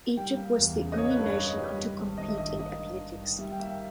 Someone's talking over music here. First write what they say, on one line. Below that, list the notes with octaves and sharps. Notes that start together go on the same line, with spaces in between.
Egypt was the only nation not to compete in athletics.
G3 G5
A#3
E2
C#3
D#5
A#3 C#5
B4
G2
C#5
G2 D#5
G3
G3
G#1
G#1 D#5
E5
G2 D#5
A#3 D#5
G2
G2
D#3
G3 E5
G5
A#3 E5